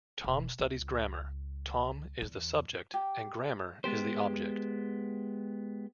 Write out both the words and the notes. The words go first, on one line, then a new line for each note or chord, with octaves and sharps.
"Tom studies grammar" - "Tom" is the subject and "grammar" is the object.
E1
C#2
E2
G4
G#3 B3 G4 C5